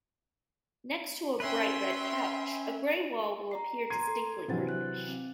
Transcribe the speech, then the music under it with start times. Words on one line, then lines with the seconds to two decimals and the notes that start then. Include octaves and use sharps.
Next to a bright red couch, a gray wall will appear distinctly greenish.
1.40 C#4 B4 E5 G5 C6
3.51 A#5 C7
3.90 A#5 C6 G#6 C7 D#7
4.08 A4
4.48 C3 E3 F#3 D4 C5 A6
4.69 F#6
5.08 C4